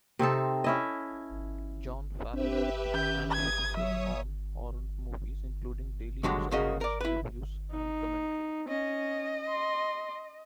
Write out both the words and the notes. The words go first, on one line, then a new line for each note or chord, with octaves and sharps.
John Fallon, and focuses on horror movies including daily news updates, reviews, and commentary.
C3 C4 D#4 A4
C#4 E4 D#5
C4 D4 G4 B4 C5 E5
D#3 C#4 G6
D#6 G#6
F#3 C#5 E5 D#6
G2 D3 F#3 G#3
C#2 G2 C#3 A#3 F#4 D#5
A#4 D5
E4 B4
D#4
C#4 D#5
C6